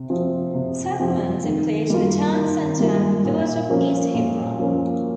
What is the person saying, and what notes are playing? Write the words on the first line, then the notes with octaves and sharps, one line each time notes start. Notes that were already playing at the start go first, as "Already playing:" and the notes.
Settlements include the town center and the village of East Hebron.
Already playing: C3
F3 C4
C3
F3 C4
D#3
G3 A#3 F4
D#3
G3 A#3 F4
A#2
F3 A#3 C#4
A#2
F3 A#3 C#4